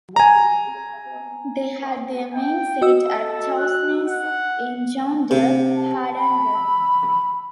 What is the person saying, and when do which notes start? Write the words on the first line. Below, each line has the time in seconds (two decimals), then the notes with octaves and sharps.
They had their main seat at Torsnes in Jondal, Hardanger.
0.16 G#5 A#5
2.34 G5
2.82 F#4 D#5 E6
3.13 A4
3.58 F#6
4.07 F#5
5.31 C3
6.18 B5